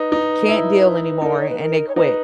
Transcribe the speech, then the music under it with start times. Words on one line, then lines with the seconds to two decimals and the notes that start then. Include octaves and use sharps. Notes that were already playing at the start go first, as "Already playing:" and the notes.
can't deal anymore, and they quit.
Already playing: D#4 B4
0.12 D#4
0.48 E4
1.22 D#4 A#4
1.40 C#5
1.50 B4
1.59 A#4
1.88 C#5
1.96 D#4 B4